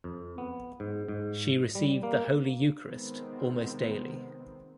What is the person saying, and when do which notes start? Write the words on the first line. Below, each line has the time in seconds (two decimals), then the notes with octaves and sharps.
She received the Holy Eucharist almost daily.
0.04 F2
0.38 B3
0.80 G#2
1.08 G#2
1.75 G3
2.03 A#3
2.84 C3 D#3 G#3 B3 C4